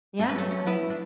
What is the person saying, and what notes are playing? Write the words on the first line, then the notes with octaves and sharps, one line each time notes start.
Yeah. I agree.
G2 A4
B4
F#3 A3 A4
C#4
B3 E4 B4
D4